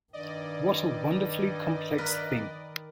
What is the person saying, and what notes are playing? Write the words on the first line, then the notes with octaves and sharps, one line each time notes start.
What a wonderfully complex thing!
G2 D#3 D5 D#5
A#4 B4